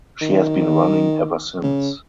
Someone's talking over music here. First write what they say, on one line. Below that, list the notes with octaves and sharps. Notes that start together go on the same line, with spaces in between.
She has been running ever since.
D#3
C#3